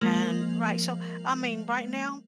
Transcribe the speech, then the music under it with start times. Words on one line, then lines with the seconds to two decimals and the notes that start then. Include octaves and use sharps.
And right, so, I mean, right now,
0.01 F3 G#3 A#3 A#4 F7 F#7